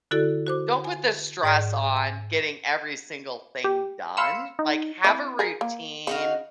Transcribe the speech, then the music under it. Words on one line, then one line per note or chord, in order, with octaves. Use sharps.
don't put the stress on getting every single thing done, like, have a routine
D3 E4 F#4 A4 D5 F#6
F#4 C5 D6
G#5
G#2 D5 G#6
G#5
G4
F5 B5 C6 E6 C#7 E7
D#4
C4 E4 D5
G#4 A#4
A#3
C#3 D#4 F#4 F5